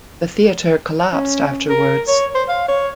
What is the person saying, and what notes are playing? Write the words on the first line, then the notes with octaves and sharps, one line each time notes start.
The theatre collapsed afterwards.
C#4
A#4
C#5
C5
F5
C#5